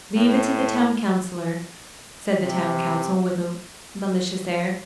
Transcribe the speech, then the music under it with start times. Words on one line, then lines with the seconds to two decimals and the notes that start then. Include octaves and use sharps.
'Leave it to the Town Counsellor,' said the town council with a malicious air.
0.16 A2
2.43 C3